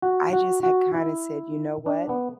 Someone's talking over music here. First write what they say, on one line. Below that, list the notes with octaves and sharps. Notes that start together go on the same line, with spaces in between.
I just had kinda said, "You know what"
F#4
F#4
F#4
E4
D4
B3